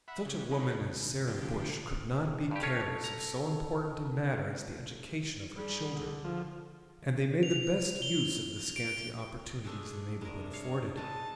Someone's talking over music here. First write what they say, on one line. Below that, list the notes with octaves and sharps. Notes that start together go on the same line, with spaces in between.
Such a woman as Sarah Bush could not be careless of so important a matter as the education of her children, and they made the best use of the scanty opportunities the neighborhood afforded.
E5 F#5 B5
C#3 G3
C#4 D#4 B4
D2
D3 F3 G4
G2 G4
C#4 F4 A4 C#5
A#5
G3 G#4
D3
F3
F7
G7
D7
G#3 A3 D4 G#4
C3 G3 G#3 D4 A#4
C#5 F5
E3 G#3 D#4 A5